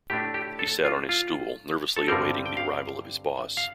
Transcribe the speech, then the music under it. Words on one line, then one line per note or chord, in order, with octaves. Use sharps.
He sat on his stool nervously awaiting the arrival of his boss.
A2 A3 D4 G4
G4
A4
F4
F4
A4
G2 D3 G3 C4 A#4
G5
F5
F5